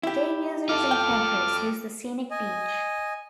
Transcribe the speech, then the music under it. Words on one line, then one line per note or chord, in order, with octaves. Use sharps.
Day users and campers use the scenic beach.
E4 G4
F4 A4 D6 F6
G5
D#5 G#5